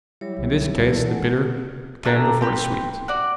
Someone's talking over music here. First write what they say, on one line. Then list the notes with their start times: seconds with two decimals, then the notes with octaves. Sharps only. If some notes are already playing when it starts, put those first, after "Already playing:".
In this case the bitter came before the sweet.
0.21 F#3 G3 E4 C#5
0.39 C2
0.76 C#2 G2 B2
0.90 E3 A4 D5
1.07 G#3 F#5
2.05 A3 D4 G5 A#5
2.41 C4 G4 B4
3.08 F#4 D5